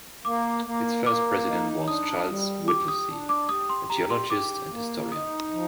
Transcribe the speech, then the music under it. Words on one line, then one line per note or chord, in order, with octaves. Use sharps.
Its first president was Charles Whittlesey, "a geologist and historian".
A#3 D6
A#3
A#3 D6
D#4
D4 D#6
G3
G4 D6
D#6
D4
D6
G4 D#6
C6
G4 A#5
C6
G4 D6
A#3
D#4 D#6
F3